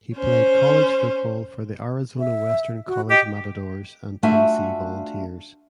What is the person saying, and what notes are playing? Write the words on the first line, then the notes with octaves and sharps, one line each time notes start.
He played college football for the Arizona Western College Matadors and Tennessee Volunteers.
C#4 C5
E5
F#4
G4 D#5
A3 D4 F4 F#4 E5 G#5